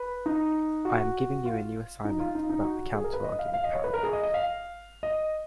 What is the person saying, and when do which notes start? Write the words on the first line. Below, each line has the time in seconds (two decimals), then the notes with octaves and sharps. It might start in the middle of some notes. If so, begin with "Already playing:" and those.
I am giving you a new assignment about the counterargument paragraph.
Already playing: B4
0.26 D#4
0.85 F#4
1.45 F4
2.05 D#4
2.20 F4
2.35 D#4
2.49 D#4
2.64 F#4
2.94 G#4
3.04 A#4
3.13 B4
3.24 D#5
3.39 F5
3.54 F5
3.64 D#5
3.74 C#5
3.84 B4
3.94 A#4
4.03 G#4
4.13 D#5
4.23 D#5
4.34 F5
5.03 D#5